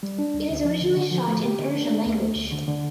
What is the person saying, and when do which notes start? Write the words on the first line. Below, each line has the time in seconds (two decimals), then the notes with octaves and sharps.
It is originally shot in Persian language.
0.03 G3
0.19 D4
0.34 D2
0.50 D2
0.65 F3
0.81 D3
0.97 D3
1.11 F3
1.27 A3
1.44 G4
1.59 D3
1.75 D4
1.90 A3
2.05 D2
2.21 A3
2.36 D2
2.52 D3
2.68 D3